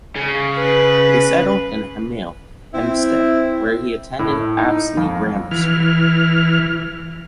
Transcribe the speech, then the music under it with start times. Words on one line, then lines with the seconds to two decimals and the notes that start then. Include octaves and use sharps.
They settled in Hemel Hempstead where he attended Apsley Grammar School.
0.16 C#3
0.57 B4
2.73 C4 E4
4.19 A2
4.58 D#4
4.97 F2
5.51 E3 F6